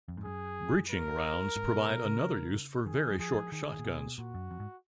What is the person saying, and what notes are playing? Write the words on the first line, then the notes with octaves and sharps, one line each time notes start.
Breaching rounds provide another use for very short shotguns.
F2
G#2
F#2 G#4
A#4
G#2
B2
B2
C#3
D#3 G#4
F#3
F3 G#4
D#3 G#4
A#2
B2
A#2 F#4
F#2
F2
G#2